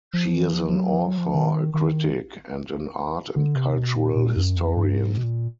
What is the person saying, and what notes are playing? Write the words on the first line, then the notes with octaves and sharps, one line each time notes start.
She is an author, a critic, and an art and cultural historian.
F3
E3
F3
F3
F#3
F3
F#3
F3
D#3
D#3
D3
C3
B2
A#2
A#2
F#2
F2
G2
G#2
B2
A#2